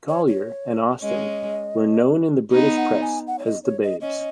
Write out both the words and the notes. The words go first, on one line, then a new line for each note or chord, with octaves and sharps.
Colyer and Austin were known in the British press as The Babes.
C#5
C#5
G#3 C#4 D#5
B3 D#4
F#5
G#5
F#5
C#5
D#5
C#5
D#5
C#4 D#5